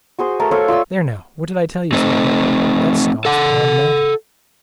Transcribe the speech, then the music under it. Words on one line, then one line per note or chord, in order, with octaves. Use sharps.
"There, now, what did I tell you?" said I. "That's Stoss Pond mountain."
F#4 G#4 C5
A3 A#4 A5
A4 C5 C#5 F5
F4 D5 C#6 E6
A3 C4 D#4
A4 F#5